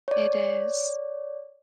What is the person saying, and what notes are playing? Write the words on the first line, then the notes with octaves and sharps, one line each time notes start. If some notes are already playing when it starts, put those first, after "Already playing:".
It is.
C#5 D5